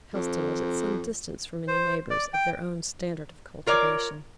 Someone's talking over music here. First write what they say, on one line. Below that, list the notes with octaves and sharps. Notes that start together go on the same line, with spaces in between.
Helstone was at some distance from any neighbours of their own standard of cultivation.
F2
C5
D5
G5
F4 A#4 C#5 D5